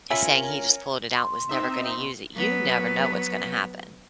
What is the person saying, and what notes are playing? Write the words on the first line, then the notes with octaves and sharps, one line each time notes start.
saying he just pulled it out, and was never gonna use it, you never know what's gonna happen.
C#4 F4 A#4 C#5 E5 G#5 B5
C6
C4 D#4 E5
B2
F#3 B3